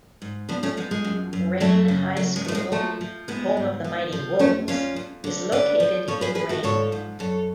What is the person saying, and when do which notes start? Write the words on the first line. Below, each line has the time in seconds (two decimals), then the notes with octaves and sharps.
Rayne High School, home of the Mighty Wolves, is located in Rayne.
0.22 G#2
0.49 F3 B3 D4
0.63 A3 C#4
0.77 F3 G#3 B3
0.91 G#3
1.04 F#2
1.33 F#2
1.60 F#2 F#3 A3
1.88 C#3
2.17 F#2 F#3
2.36 G#3
2.45 F3 A3
2.55 G#3
2.72 F3 F#3 A3
3.01 F3
3.28 G#2 G#3 B3
3.57 G#2
3.84 F3
4.12 F3
4.39 F2 A3 C#4
4.68 F2 C#4 F4
4.96 F2
5.24 D3
5.52 F2 B4 D5
5.80 F3
6.08 F3 A4 C#5
6.21 G#4 B4
6.35 F3 G#4 B4
6.49 F#4 A4
6.63 G#2 A4 C#5
6.92 G#2
7.19 F#2 A4 C#5